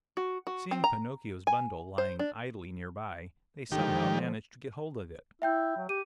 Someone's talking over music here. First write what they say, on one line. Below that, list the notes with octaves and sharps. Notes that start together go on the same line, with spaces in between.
Seeing Pinocchio's bundle lying idle near-by, they somehow managed to get hold of it.
F#4
F#4
C4
A#5
G#5
C5
D4
D3 D#3 F3 G#3 G4
E4 E5 G5 G6
F#3
G4 D#7